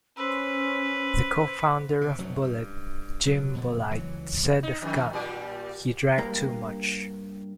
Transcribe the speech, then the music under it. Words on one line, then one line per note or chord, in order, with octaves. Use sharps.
The co-founder of Bullet, Jim Bulleit, said of Gant:He drank too much...
C#4 B4 C5 C6 E6
C3
F1 F#2 F#3
G2
B2 F#3
F2 B2 D3
C#2 E3 F#3
D#4
F2 D#3
A#2 G3 G4
G2 A#3 A#5